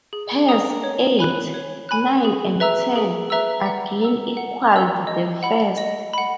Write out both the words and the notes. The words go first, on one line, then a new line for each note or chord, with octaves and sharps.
Pairs eight, nine and ten again equalled the first.
G#4
D#5 A#5 D#6
C#5
G#5 B5 F#6
C#5
G#5 B5 F#6
G#4
B4 E5 A#5 E6
G#4
B4 E5 A#5 E6
F#5
A#5 E6
F#5
A#5 E6
D#5
F#5 B5
D#5
F#5 B5